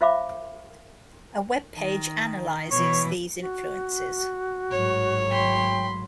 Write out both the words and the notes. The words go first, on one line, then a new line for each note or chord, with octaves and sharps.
A web page analyses these influences.
F4 C5 E5 F5 B5 D6
D#3
B2 E3 C#5
F#4
G#1 A2 F#3 C#5
G5 B5 C6